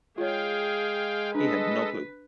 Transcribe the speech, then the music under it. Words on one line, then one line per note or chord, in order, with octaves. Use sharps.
He had no clue.
G#3 F4 G#4 C#5 F5 G5
D4 A4 B4 D#5